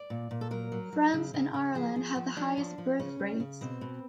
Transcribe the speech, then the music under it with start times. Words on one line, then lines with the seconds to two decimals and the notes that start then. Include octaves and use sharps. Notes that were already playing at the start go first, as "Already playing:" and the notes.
France and Ireland have the highest birth-rates.
Already playing: D5
0.10 A#2
0.31 A#2
0.41 A4
0.51 F#3 A#4
0.72 F#3
0.93 F#3
1.13 C#3
1.34 C#3
1.54 C#3
1.75 F3 G#4
1.96 F3
2.16 F3
2.37 F3 D4
2.57 F3
2.78 F3
2.99 C#3 C#4
3.19 C#3
3.40 C#3
3.61 B2 C4
3.81 B2